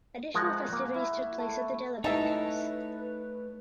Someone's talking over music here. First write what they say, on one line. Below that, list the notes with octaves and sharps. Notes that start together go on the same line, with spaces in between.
Additional festivities took place at the Delavan House.
F3 G#3 A#4 F#5 C#6
A#3
E4
A3
A3 D#4 E4 B4 C#5 E5 A5